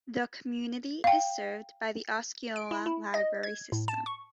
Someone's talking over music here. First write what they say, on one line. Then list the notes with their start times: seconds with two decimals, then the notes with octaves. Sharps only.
The community is served by the Osceola Library System.
1.04 F5 G5
2.56 D7
2.71 E4
2.86 E4
3.14 D#5
3.43 G#6
3.72 A2
3.88 A5
4.06 C#6